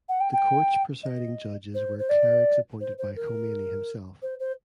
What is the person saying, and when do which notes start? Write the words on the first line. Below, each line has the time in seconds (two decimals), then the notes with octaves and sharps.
The courts presiding judges were clerics appointed by Khomeini himself.
0.09 F#5
0.20 G5
0.33 G5
1.03 D#5
1.75 C5
1.99 C5
2.09 D5
2.81 C5
2.98 C5
3.16 A#4
4.22 C5
4.40 C5